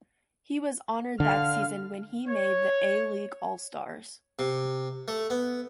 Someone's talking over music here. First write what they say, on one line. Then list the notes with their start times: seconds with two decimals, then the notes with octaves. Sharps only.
He was honored that season when he made the A League all stars.
1.20 D3 F5 F6
2.27 C#5
4.39 C3
5.08 A3
5.30 B3